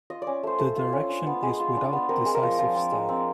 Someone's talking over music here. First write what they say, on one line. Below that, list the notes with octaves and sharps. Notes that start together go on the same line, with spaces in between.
The direction is without decisive style.
F4 D#5
C#4 D5
A3 C5
A3 C5
F4
C#4
D4
B3
G#3
F4
D4
B3
C4 A#4
G#3
A#4
F3
F3
C4
G#3
C4